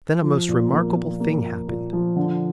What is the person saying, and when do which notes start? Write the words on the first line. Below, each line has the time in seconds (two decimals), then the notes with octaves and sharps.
Then a most remarkable thing happened.
0.23 F3
0.48 A#2
0.73 A#3
0.96 A#3
1.20 A#3
1.44 A#2
1.68 A#2
1.93 F3
2.16 D3